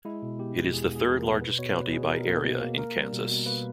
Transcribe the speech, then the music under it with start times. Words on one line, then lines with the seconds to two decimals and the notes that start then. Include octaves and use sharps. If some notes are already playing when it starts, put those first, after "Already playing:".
It is the third-largest county by area in Kansas.
0.05 G#3 E4
0.22 B2
0.39 B3 G4
0.57 B2
0.73 E2 G#4
0.91 B3
0.96 G#4
1.07 E2
1.19 A#4
1.24 B3
1.41 B2 B4
1.59 B2 C#5
1.76 B2 B4
1.93 B2 G#4
2.10 B2 A#4
2.27 A#3
2.44 B2
2.61 A#3
2.78 A#3 A#4
2.96 G3
3.13 B2
3.29 B2
3.46 A#3 B4